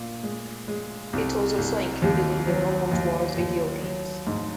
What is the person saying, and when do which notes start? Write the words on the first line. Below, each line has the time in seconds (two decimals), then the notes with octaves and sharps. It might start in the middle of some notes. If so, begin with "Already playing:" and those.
It was also included in the "Robot Wars" video games.
Already playing: A#2
0.23 G#3
0.68 G#3
1.13 C2
1.58 C2
2.02 D#2
2.47 F#3
2.92 D#2
3.37 D#2
3.82 F#3
4.27 G#2